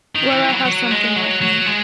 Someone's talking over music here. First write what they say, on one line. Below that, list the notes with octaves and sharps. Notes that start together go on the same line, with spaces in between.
Well I have something with me.
D#3
E3
F#3
F#3
G#3
F#3
F#3
G#3